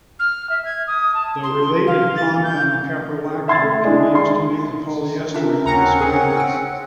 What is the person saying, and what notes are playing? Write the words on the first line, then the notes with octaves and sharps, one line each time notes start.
The related compound caprolactone can be used to make a polyester in this manner.
F6
E5
G#6
D#6
A5
C6
F5
A6
G6
E5 C6 G#6 A6
A3
G#3 D4 E4 G#4
C6
E3 D4 F4 A#4 E5
D#2 C4 C#4 F#5 A#5
C#3 G#4
E6 D7